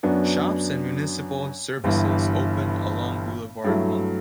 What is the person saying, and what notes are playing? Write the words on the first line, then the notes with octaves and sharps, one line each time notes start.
Shops and municipal services opened along Boulevard Monk.
F#2 F#3 B3 D4
G1 G2 E3
G2 F#3 A3 E4